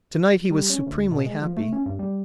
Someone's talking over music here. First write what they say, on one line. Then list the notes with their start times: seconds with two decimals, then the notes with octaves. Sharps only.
To-night he was supremely happy.
0.51 G3
0.70 C#4
0.87 D2
1.11 B2
1.26 G#3
1.42 F3
1.57 A3
1.73 C#4
1.86 G2
1.99 G3